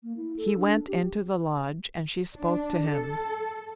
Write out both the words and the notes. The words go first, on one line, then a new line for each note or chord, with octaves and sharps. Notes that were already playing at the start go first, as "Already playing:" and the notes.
He went into the lodge, and she spoke to him.
A#3
E4
A4
D4
G4
D4
A4